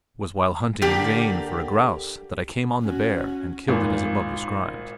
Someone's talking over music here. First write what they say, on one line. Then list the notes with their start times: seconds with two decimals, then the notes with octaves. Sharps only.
It was while hunting in vain for a grouse that I came on the bear and killed it as above described.
0.82 D3 A#3 G4
2.82 C#4 F#4
3.68 G#1 A#2 D#3